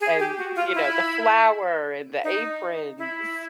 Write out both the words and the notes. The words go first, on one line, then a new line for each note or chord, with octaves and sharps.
and, you know, the flour, and the aprons.
G#4
G4
F#4
F4
E4
D#4
E4